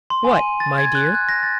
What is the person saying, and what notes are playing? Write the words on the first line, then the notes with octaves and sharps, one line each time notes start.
"What, my dear?"
C6
G#5
D#7
A6
G#6
F#6
F#6
A#6
A6